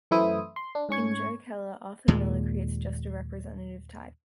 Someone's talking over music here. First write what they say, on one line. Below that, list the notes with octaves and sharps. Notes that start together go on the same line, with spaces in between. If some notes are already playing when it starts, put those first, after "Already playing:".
In Joe Keller, Arthur Miller creates just a representative type.
F#2 E3 A3 E4 C5 D#6
C6
D4
G#2 C#4 C#6 G#6
D#2 A#2 G#3